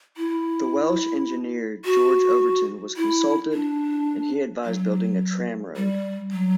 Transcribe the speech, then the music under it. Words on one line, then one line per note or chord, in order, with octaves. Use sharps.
The Welsh engineer George Overton was consulted, and he advised building a tramroad.
E4
F#4
E4
D4
F#3
G3
F#3